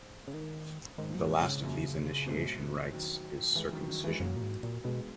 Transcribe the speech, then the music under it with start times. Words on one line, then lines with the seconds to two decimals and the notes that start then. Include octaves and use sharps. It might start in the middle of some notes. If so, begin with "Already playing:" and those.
The last of these initiation rites is circumcision.
Already playing: G#2
0.27 C#3
0.34 D#3
0.98 G#2 D#3
1.09 A#2
1.14 F#3
1.20 G#2 E3
1.41 C#3
1.62 F#2 A#2
2.26 G#2 B2
2.91 D#3 F#3
3.55 E3 G#3
3.72 D#3 F#3
3.88 D#3 F#3
4.04 E3 G#3
4.20 F#2 F#3 A#3
4.36 A#2
4.42 G#2
4.63 A#2
4.84 B2 G#3 B3